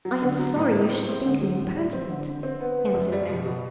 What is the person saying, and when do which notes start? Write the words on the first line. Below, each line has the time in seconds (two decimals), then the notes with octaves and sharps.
"I am sorry you should think me impertinent," answered Mary.
0.05 F#3
0.22 D3
0.39 F#3
0.56 A2
0.73 A2
0.91 C4
1.08 C4
1.25 D3
1.41 F#3
1.59 A2
1.75 G3
1.93 C4
2.09 D3
2.27 D3
2.43 C4
2.60 B3
2.78 B3
2.94 F#2
3.12 G3
3.29 B2
3.46 B2